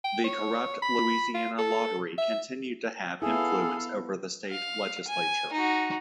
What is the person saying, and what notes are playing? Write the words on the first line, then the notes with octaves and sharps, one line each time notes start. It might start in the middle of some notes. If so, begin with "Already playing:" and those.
The corrupt Louisiana Lottery continued to have influence over the state legislature.
G5
C#5
B5
F4
A4
E5
B3 E4 G#4 A4 F5
F5
G#5
D#4 F#4